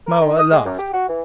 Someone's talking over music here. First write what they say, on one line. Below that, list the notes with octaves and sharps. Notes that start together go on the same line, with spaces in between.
Moa laughed.
A#4
D#3
D#6
G#3
F#2
G4
F#4
E3